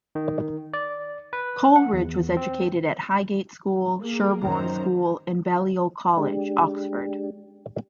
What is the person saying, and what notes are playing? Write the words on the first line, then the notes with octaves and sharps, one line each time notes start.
Coleridge was educated at Highgate School, Sherborne School and Balliol College, Oxford.
D#3
D5
B4
F#5
E2
C4
A#3 G#4 A#4
F#2 D#3 C5 A#5
G#3 D4 G4